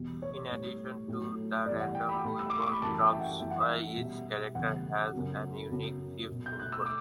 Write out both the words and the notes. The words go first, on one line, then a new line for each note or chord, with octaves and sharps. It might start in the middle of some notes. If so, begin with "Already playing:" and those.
In addition to the random weapon drops, each character has a unique fifth weapon.
Already playing: E2 B2 G3
C#5
A2 G3
A2 F#3
G2 E3 G3 D5
F#5
G5
B5
A2 G3
E6
D6
C#6
B5
F#2 E3 G3 A5
G5
E5
F#5
F#2 E3 G3 E5
F#5
E5
B2 G3
E2 C#3 G3 F#5
F#2 C#3 F#3
F#2 C#3 F#3
B2 F#3
G6
F#6
E6
D6